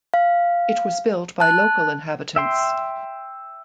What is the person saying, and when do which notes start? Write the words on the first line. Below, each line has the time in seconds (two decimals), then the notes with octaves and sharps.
It was built by local inhabitants.
0.14 F5
1.40 A5 F#6
2.36 E5 G5 C6